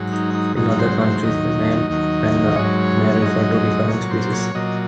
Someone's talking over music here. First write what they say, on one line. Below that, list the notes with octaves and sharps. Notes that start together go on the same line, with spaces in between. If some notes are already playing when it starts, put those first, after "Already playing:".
In other countries, the name "panga" may refer to a different species.
Already playing: G#2 F#3
D#4
D#4
G#2 F#3 D#4
C5
C5
D#2 D#3 F#3 D#5
D#2 D#3 F#3
G#2 F#3 C#5
G#2 F#3 D#5
A#2 F#3 C#5
C5
C#5
A#2 F#3 D#5